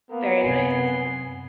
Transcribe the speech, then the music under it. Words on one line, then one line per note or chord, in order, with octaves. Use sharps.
Very nice.
A#3 B3
F#2 C3 G#5 C6